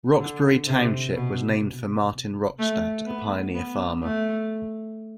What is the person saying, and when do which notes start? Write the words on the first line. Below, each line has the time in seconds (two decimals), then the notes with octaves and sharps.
Rocksbury Township was named for Martin Rockstad, a pioneer farmer.
0.19 D3
0.67 C3
1.15 B2
2.59 A3
3.07 B3
3.54 B3
4.03 A3